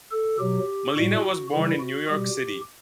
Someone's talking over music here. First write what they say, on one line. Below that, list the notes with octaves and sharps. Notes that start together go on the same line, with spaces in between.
Malina was born in New York City.
A4
B2 F#3 G4
A2 G3 F#4
C#3 E3 G3 E4
F#4
B2 G3 G4